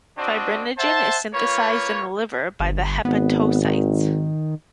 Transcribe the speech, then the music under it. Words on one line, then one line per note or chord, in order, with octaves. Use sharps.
Fibrinogen is synthesized in the liver by the hepatocytes.
C4 D4 F#4 D5 D#5
C5 E5 F#5 A5
A#3 F4 B4 C#5
G1
G#1 B3
D#3